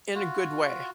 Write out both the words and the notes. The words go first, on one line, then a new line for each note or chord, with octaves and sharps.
in a good way,
F4 F#4